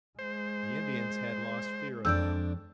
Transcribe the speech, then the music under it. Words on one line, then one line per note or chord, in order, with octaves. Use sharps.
The Indians had lost fear of them.
G#3 C5
F2 D4 D5 E6 G6